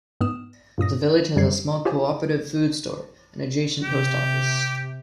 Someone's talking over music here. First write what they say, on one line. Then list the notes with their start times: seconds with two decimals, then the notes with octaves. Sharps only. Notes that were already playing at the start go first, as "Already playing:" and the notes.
The village has a small Co-operative food store, and adjacent Post office.
0.21 G#2 B3 D#6 F6 E7
0.78 G2 A#2 D#6 A#6
1.36 F#2 D3 G3 G#6 C7
1.85 F4 G4 C5 C#5 G#5
3.83 C3 G4